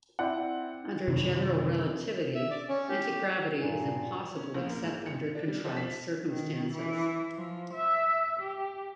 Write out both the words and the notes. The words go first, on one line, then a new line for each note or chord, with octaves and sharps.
Under general relativity, anti-gravity is impossible except under contrived circumstances.
C4 E4 D5 F#5
F#2 C3 D#3
E5
D5
C#4
G4
G2 A#2 G#5
C#4
A#1
A#3
G#2
C#7
D4
G3
F3
B6
D#3
E3
F3
E5
G4